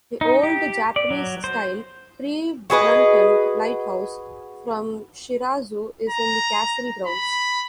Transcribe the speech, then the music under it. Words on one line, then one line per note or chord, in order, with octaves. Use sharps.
The old Japanese-style pre-Brunton lighthouse from Shirasu is in the castle grounds.
D#4
G4
D5
F#3
C5
F#4 G#4 B4 D#5
A#5
B5